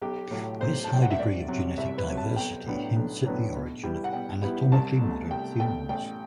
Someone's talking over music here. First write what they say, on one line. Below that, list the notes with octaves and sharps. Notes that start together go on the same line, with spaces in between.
This high degree of genetic diversity hints at the origin of anatomically modern humans.
B1 G4
A2 F#3
B1 C5
A5
A2 F#3 G5
F#5
E5
C2 D5
C3 F#3
C2 E5
B4
C3 F#3
A5
B1 G5
A2 F#3 B3 D4
B1
A2 F#3 B3 D4
B2
G3 B3 E4
F#5
B2 G5
G3 B3 E4
C2 A5
B2 A3
C2 G5
B2 A3 G5
A1 G5